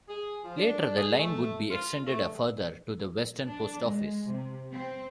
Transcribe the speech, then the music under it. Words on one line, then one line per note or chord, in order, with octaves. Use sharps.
Later, the line would be extended a further to the Weston post office.
G#4
F3
D4
G#4
A3
F4
A3
D4
G#3
C3
C4